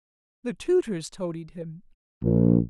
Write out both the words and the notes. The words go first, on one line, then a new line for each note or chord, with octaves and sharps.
The tutors toadied him.
A#1